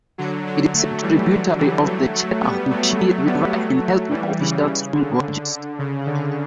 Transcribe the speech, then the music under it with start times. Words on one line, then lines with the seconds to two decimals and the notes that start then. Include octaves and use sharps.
It is a tributary of the Chattahoochee River and has no official stream gauges.
0.18 D3 F#3
0.47 D3 F#3
0.74 F#3 A3
1.02 E3 G3
1.31 D3 F#3
1.58 E3 G3
1.86 F#3 A3
2.14 F#3 A3
2.42 G3 B3
2.70 F#3 A3
2.98 F#3 A3
3.27 G3 B3
3.55 F#3 A3
4.11 E3 G3
4.39 C#3 E3
4.67 C#3
4.95 D3
5.79 C#3
6.07 D3